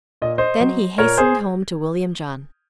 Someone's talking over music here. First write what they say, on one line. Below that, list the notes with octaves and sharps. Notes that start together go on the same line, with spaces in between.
Then he hastened home to William John.
A#2 D#5
C5 D#5
F#3
A#2 A#4 C#5
G#4 C5